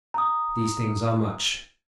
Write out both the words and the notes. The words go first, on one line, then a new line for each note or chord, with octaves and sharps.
These things are much.
A#5 D#6